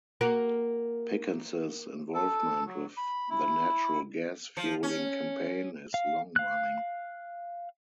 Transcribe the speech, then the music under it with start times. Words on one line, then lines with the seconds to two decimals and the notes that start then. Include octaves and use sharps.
Pickens's involvement with the natural gas fueling campaign is long-running.
0.21 A#3 F#4 A#4
2.14 A4
2.66 F#3
2.97 B5
3.30 E4
4.57 F3
4.83 C#4
5.94 F5
6.36 F5 F#6